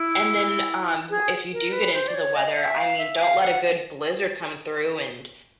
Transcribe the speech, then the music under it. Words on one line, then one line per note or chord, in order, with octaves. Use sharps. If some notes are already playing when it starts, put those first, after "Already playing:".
and then, um, w if you do get into the weather, I mean, don't let a good blizzard come through and
Already playing: E4
G#4
A#4
B4
C5
D5
C#5
D#5
E5
F5
E5
F5
F#5